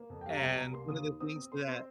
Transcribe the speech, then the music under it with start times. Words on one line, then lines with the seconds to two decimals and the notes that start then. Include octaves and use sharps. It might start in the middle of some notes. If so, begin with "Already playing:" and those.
and, one of the things that
Already playing: A#3
0.10 F2
0.21 G5
0.26 G3 F5
0.35 A#5
0.41 C2 G5
0.57 C2 A#5
0.73 A#3 C6
0.88 D#2 D#6
1.05 D#3
1.20 C4 D#6
1.36 C4
1.52 C4 C6
1.68 C4 C6